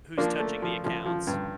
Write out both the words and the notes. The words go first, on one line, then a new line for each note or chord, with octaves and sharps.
Who's touching the accounts?
F3 A#3 D4
A3
F3
F3
F3
G2